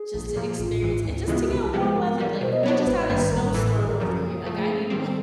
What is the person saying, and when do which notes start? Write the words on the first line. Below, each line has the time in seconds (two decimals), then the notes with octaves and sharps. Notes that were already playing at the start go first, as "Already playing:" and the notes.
Just to experience and just to get warm weather, like, we just had a snowstorm over here, like I need wa
Already playing: G#4
0.14 A#1
0.36 A#2 F3 A#3
0.59 A1 F4
0.82 G#2 E3
1.04 D2 E4
1.27 C#3 E3 G#3 B3 F4
1.39 F#4
1.50 C2 G4
1.73 C3 F3 G#3 B3 G#4
1.96 G#2 A#4
2.18 E3 G3
2.41 B2 C5
2.52 D#5
2.63 F#3 B3 D4 C#5
2.75 C5
2.86 G#1 B4
3.09 G2 D#3 G3 A#3 B4
3.31 A1 A#4
3.44 A#4
3.54 A2 E3 A4
3.77 G#1 G#4
3.89 A#4
3.99 F#2 C#3 F3 A#4
4.11 A4
4.23 A#2 G#4
4.46 F3 A3
4.68 G#2 A4
4.90 D#3 G3 C4